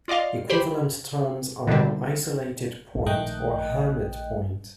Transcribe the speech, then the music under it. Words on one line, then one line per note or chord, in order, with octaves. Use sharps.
Equivalent terms are "isolated point or hermit point".
F4 D5 D#5 F5 C6
G4 C5 B5
B2 D3 D#3 G3 C4
A#1 D#3 A3 D#5 G5 F#6